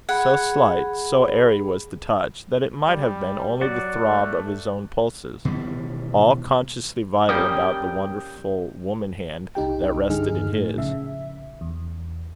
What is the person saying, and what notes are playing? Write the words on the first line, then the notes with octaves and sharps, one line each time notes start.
So slight, so airy was the touch, that it might have been only the throb of his own pulses, all consciously vital about the wonderful woman-hand that rested in his.
G#4 F#5 B5
G3
F#3 F#4 D5
A3
B2 D#3 E3 G3
G3 A#3 C#4 G5 D#6
C2 D#4 G4 G5
G2 D3 D#4 G#4 F6
A2
A#1 C#3 E5
E2